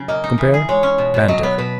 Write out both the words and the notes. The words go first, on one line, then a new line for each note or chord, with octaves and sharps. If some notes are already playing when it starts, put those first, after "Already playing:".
Compare BANTER.
Already playing: C#3 F#3
A#3 D#5
D#4
E3
G#4
G#3 C#5
C#4
B2
B2
F#3 D#5
B3 C#5
B2 B4